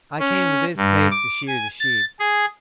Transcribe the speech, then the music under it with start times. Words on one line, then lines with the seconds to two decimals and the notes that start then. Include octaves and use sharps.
I came to this place to shear the sheep.
0.19 C#4
0.77 G2
1.11 D6
1.47 G#5
1.80 A6
2.20 G#4